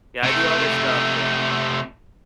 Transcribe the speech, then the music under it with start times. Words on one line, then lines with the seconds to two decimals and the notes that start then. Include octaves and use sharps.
Yeah, I do other stuff, yeah.
0.23 C3 A3